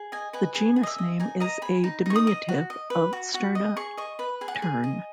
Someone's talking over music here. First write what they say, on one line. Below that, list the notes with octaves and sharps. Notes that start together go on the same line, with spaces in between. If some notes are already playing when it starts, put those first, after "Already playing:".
The genus name is a diminutive of "Sterna", "tern".
Already playing: G#4
D#5 G#5
B4 G#5
G#4 G#5
G#4
D#5
E5
D#5
D#4 G#5
D#5 A#5
G#4 B5
D#4
D#4 C#6
D#6
D#5
F#4
D#5
B4
F#4
F#4
D#5
G#4 C#6
D#5 C#6
B4 B5
G#4 G#5
F#5
G#5
G#4
D#5